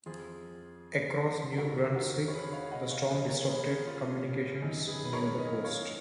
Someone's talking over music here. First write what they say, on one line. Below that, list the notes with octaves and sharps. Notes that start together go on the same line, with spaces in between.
Across New Brunswick, the storm disrupted communications near the coast.
F2 F3 F4 G#4
F2 D#3 F#4 A#4
F#4 A#4
C#5
G#4 B4
C#5 F5
D#5 F#5
C#5 F5
D#2 C#3 F3 B4 D#5
A#4 C#5
G#4 B4
C#4 F4
C#4
F#2 D#3 D#4
G#4 B4
B4
A#4 C#5
B4 D#5
C#5 F5